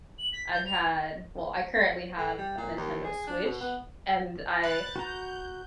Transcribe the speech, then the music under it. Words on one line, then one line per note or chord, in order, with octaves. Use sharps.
I've had well, I currently have a Nintendo Switch, and I
F#7
B6
G6
F7
A2
G3
A#2
D#2
G#4
D4
B2
B3
B4 F#6 A6
F#4 A#5 G6